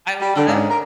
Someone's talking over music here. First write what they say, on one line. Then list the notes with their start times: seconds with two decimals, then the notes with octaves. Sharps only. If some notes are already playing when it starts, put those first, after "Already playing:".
I love
0.20 G3
0.36 D3
0.48 G#2 C#4 D4
0.70 A#4